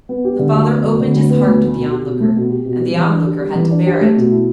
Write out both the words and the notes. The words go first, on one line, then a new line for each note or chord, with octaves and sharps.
The father opened his heart to the Onlooker--and the Onlooker had to bear it.
B3
G4
D3
D2
B3
D2
D3
D2
B3
D2
A3
B2
G4
B2
A3
B2
G4
B2
G3
E3
D4
G4
G3
E3
D4
G4
A3
B2
E4